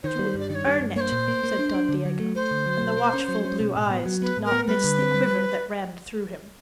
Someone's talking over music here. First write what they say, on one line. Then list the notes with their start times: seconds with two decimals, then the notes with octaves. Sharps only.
"To earn it?" said Don Diego, and the watchful blue eyes did not miss the quiver that ran through him.
0.03 D#3 C5 C#5
0.19 G3
0.35 G2 D5
0.50 D#3 D5
0.55 C#5
0.66 G2
0.80 G2
0.96 A#3 C5 C#5
1.12 A#2
1.28 A#3
1.43 A#3
1.59 D4
1.74 D4
1.89 D3
2.05 F#3
2.20 A3
2.35 A3 C5
2.51 D3
2.66 F#3
2.81 B2
2.97 A#3
3.13 C#4
3.28 F#3
3.45 C#4
3.60 B2
3.76 A2
3.90 B3
4.06 F#3
4.21 B3 B4
4.37 A2
4.45 A#4
4.52 B3
4.68 G3 B4
4.84 D3
4.98 C4
5.14 G3